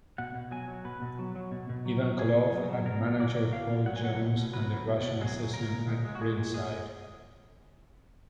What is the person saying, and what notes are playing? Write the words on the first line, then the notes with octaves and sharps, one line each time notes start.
Ivan Koloff had manager Paul Jones and The Russian Assassin at ringside.
B2 F#5
B2
F#3 G#5
F#3
B2 B4
B2
F#3
F#3
B2
B2
F#3
F#3
B2 G#4
B2
F#3
F#3
B2 A#4
B2
F#3 D5
F#3
B2 F5
B2
F#3 F#5
G#5
F#3 F#5
B2
B2
F#3 B4
F#3
B2
B2
F#3 G#4
F#3
A#2 A#4
A#2
G#3
G#3
F#4
A#2 G#4
A#2
G#3 G#4